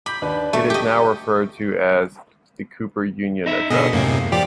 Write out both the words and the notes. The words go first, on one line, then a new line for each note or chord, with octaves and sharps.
It is now referred to as the Cooper Union Address.
B5 D6 G6
D#2 D4 B4
A3 E5
G4 D#5
D#4 E5
B2 D3 B3 G#4 D#5
F#2 A2 C3 A#3
F3 G4 D5